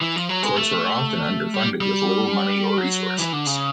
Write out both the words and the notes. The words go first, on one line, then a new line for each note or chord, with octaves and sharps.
Courts were often underfunded, with little money or resources.
E3
F3
F#3
G#3
A3
G3
G3
F#3
E3
D3
C#3